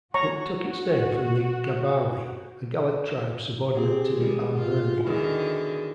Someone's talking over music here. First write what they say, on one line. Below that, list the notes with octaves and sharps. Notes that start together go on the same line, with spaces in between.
It took its name from the Gabali, a Gallic tribe subordinate to the Arverni.
F#4 C#5 A#5 C#6
C4 G4 G#4
D#3 G3 G#3
F4
E2 D3 D#3 E4 F#4 G#4